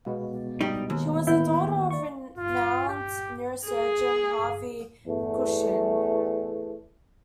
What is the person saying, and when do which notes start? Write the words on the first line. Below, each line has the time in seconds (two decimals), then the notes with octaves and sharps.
She was the daughter of renowned neurosurgeon Harvey Cushing.
0.06 B2 G#3 B3
0.61 G3 D#4
0.90 D#2
1.27 A1 B3 E4 G6
1.91 D5 C#6
2.38 F4
2.88 G4
3.66 G#4
5.06 E2 A3